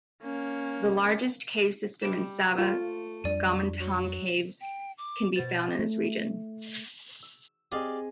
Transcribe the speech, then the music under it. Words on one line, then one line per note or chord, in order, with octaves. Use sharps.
The largest cave system in Sabah, Gomantong Caves, can be found in this region.
A#3 C#4
G3 D7 E7
A3 F4
F2 G3 D4 D5 D#7
F#3
G5
D6
B2 C5 A6
A3
E6
C4 G4 G#4 D5 D#5 F5